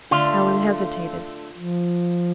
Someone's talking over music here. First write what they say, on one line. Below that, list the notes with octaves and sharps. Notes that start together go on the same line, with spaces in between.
Allan hesitated.
D3 A3 F4
F3